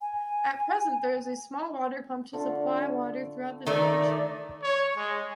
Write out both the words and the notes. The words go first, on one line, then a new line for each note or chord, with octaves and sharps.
At present there is a small water pump to supply water throughout the village.
G#5
D3 A3 F4
D#3 A3 D5
C#5
G#3